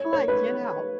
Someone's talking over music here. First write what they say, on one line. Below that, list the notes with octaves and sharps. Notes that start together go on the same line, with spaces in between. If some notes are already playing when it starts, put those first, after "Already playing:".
like, "Get out."
Already playing: C#5
C#5
B4